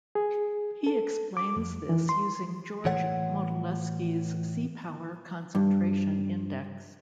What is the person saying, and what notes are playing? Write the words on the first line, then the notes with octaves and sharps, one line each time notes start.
He explains this using George Modelski's Seapower Concentration Index.
G#4
A4
D6
F2
E3
C6
A2 E3 C#5 F#5
G2